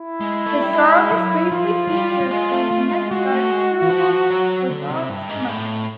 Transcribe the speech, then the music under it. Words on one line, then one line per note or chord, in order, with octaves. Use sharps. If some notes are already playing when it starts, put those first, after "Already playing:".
The song is briefly featured in a Nexgard Chewables for Dogs commercial.
Already playing: E4
G#3
A3
G3
G#3
F#3
F3 F4
F#3
G3
G3
G#3
A3
A3
G#3
G#3 F#4
A3
G#3
E3
F3
F#3
D3
C3
G2
G#2
A2